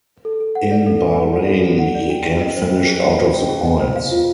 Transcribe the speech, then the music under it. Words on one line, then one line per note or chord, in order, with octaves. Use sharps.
In Bahrain he again finished out of the points.
A4
A4
F#5
D5
A4
A4
F#5
D5
A4
A4
F#5
D5
G5
G#4
D#5
C5
G5
G#4
D#5
C5
G5
G#4
D#5
C5
F5
F4